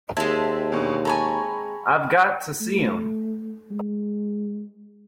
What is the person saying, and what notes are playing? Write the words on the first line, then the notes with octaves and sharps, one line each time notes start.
I've got to see him.
D#2 G#3 C4 E5 A5 G#6
E2 B2 D3
A4 C#5 G#5 A#5 B5 C#6
A3
G#3